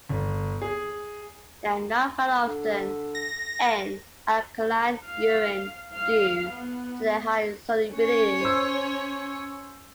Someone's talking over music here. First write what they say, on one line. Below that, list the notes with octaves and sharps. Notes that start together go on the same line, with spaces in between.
They are not found often in alkaline urine due to their high solubility.
G1
G#4
D3
A#6
F5
F5
B3
C#4 C#5
C5 E6